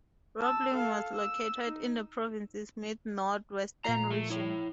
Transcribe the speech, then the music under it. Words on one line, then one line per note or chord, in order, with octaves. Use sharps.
Roblin was located in the province's mid-northwestern region.
A5 E6
A4 F5
E6
D#4
A#2 F3 A#5 C7
A3
E4 C#5